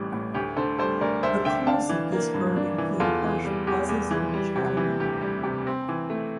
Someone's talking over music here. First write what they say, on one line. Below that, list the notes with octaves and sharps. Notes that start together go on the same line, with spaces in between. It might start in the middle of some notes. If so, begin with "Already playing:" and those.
The calls of this bird include harsh buzzes and chattering.
Already playing: A1 A2 E3 G3
A2
D2 G4
D3 A4 C5
G3 A4 C5
D2 A#4 D5
D2 C5 E5
D3 E5 G5
D4 F5 A5
E3
A#3
G2
D4
E3
E2 F4 A4
E3
G3
E2 G4
E2
E3
G3
C3
E3
D2 G4
G3
C3
C4
E3
A3